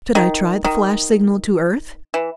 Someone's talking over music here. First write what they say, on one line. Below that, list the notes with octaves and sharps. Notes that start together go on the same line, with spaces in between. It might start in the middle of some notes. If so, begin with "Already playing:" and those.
Should I try the flash signal to Earth?
D#3
D#3
E3